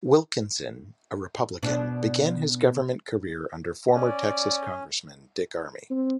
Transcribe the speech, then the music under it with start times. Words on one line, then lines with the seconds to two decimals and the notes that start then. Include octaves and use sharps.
Wilkinson, a Republican, began his government career under former Texas congressman Dick Armey.
1.63 B2 D4
3.94 C#4 D5
5.91 C4